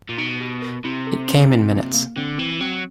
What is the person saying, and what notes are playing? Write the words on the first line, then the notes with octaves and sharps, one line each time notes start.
'It came in minutes.
A#2
B2 D#4
G4
A#4
C3 E4
A4
C#4
D#4
A#3
A#3
D3 C4
E3 C4
F#3 C4